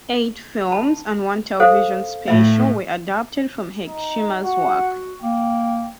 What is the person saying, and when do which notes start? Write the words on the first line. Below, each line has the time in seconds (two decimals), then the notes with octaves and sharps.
Eight films and one television special were adapted from Hergesheimer's work.
0.72 A5 B5
1.60 A4 C5 F5
2.28 A2 E5 B5
3.86 D#4
4.44 F#4 F#5
5.22 A#3 G5